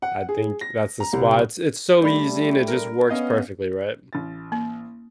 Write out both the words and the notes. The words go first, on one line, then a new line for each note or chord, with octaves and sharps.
I think that's the spot. It's so easy and it just works perfectly, right?
F#5
G#4
A#6
A#5
C2
G3 A3 D4 D5 B5
A#4
B3 C#4 D#5 F5
A1 A6
A#3